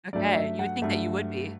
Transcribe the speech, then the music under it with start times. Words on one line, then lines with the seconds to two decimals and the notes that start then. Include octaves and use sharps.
Okay, you would think that you would be.
0.13 G2 F#3 A3 D5
0.36 E5
0.59 F#5
0.82 G2 F#3 A3